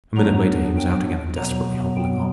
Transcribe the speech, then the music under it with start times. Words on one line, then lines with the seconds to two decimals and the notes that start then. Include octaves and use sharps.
A minute later he was out again and desperately hobbling on.
0.16 F#3 B3 D4 A#5
0.77 G5
1.36 B2 F#3 B3 A#5
1.96 G5